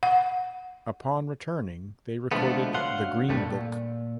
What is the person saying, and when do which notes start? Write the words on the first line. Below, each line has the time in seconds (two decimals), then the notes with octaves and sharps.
Upon returning they recorded "The Green Book".
0.03 F#5
2.32 B2 D3 F3 G#3 A3 B3
2.74 D2 F#3 F5 F#5 C6
3.29 C2 G2 G3 A3
3.44 A#2